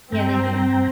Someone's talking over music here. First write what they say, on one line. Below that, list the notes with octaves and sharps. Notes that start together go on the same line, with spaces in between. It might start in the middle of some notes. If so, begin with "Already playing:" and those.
Yeah, they do.
G2 C4 G5 A#5